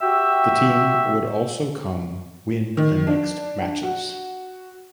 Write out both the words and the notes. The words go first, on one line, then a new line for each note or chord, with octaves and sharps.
The team would also come win the next matches.
F#4 G4 E5 G5 E6
D#3
D4
F#4